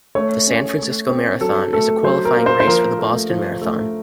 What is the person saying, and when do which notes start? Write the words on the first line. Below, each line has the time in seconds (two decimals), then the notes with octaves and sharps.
The San Francisco Marathon is a qualifying race for the Boston Marathon.
0.15 A3 C#5
0.47 C#4
0.78 A3
1.09 C4
1.41 F#3 A4
1.73 A3 A4
2.03 F#3 C5
2.25 A#4
2.36 A#3
2.46 C5
2.60 C5
2.67 F3 A#4
2.99 A3
3.29 F3
3.62 A3